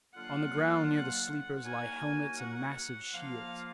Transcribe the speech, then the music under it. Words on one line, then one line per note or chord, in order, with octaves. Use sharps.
On the ground near the sleepers lie helmets and massive shields.
D3 F#3 A#3 F4 F#5
F#3 A#3 D#4 F#4 A#4 G#5
F#5
F3 A#3 F4 F5